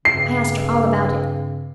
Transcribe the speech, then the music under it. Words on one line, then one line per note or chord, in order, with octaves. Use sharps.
I asked her all about it.
G2 C#3 C4 C7